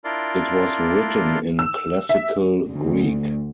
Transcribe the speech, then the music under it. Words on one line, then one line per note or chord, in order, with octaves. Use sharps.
It was written in Classical Greek.
D4 E4 F4 A#4 D5 C6
E6
E5
D2